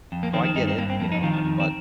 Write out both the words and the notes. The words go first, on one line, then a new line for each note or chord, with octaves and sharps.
so I get it, you know, but,
F2
A#3
D#3 C4
C4
G2 D#4
C4
G2 A#3
C4
F2 A#3
D#4
D#3 F4
F3
F2
C4